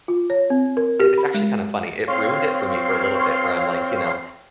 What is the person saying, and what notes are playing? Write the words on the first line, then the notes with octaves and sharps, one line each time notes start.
it's actually kinda funny. It ruined it for me for a little bit where I'm like, "You know,
F4
C#5
C4
A#4
G4
B5
G#3
C4 C#5 F5 C6